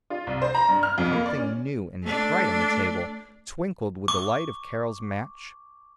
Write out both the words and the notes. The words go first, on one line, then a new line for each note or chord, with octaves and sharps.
Something new and bright on the table twinkled with the light of Carroll's match.
F4
C2
C5
A#5
G2
F6
F2
A#3
D5
C#4
A3 D4
C#6 D6